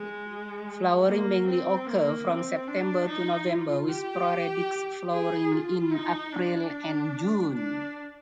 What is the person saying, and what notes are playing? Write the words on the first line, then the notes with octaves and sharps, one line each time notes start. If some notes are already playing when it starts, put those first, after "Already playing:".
Flowering mainly occurs from September to November with sporadic flowering in April and June.
Already playing: G#3
A#3
C4
A#3
C4
D4
D#4
F4
G4
G#4
F4
D#4
D4
D4